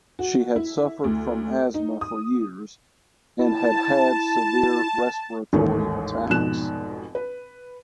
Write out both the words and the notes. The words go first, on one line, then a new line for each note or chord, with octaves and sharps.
She had suffered from asthma for years and had had severe respiratory attacks.
F#4
E4
D2
D#4
D#6
E4 A5
A1 D#2 G#2 D#3 A3
F1 G#2 B2 F#6 E7
B4